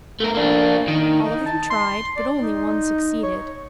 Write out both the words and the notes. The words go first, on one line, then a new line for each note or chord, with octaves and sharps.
All of them tried, but only one succeeded.
A3 A#4
A#3 D4
D#3
D#4
A5
C6
D5
D#4
C#5